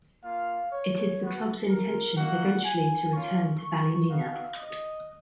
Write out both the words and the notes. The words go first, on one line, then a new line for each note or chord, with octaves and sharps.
It is the club's intention eventually to return to Ballymena.
A#3 F4 F5
C#5
B3 F#4
A#4
A#3 D#4 F#4 F#5
G#5
A#3 C#4 F4 C#6
C#6
B3 D#4 F#4 F5
D#5